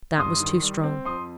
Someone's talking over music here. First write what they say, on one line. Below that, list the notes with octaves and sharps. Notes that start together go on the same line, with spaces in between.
That was too strong.
G2 C6 D#6
D#3
G3
C4
F2 C6 D#6